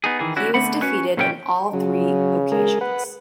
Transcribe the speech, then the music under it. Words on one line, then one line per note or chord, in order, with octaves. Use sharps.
He was defeated on all three occasions.
B3 D#4 G#4
D#3 E3 G#4
D3 C#4 E4 F#4
D3 A3 B3 F#5 B5
C#4 F#4 B4 C#5
A#2 C#3 F#3 C#4 G4 G5
C#3 F#3
G#3 G#4 A#4
B4 F#5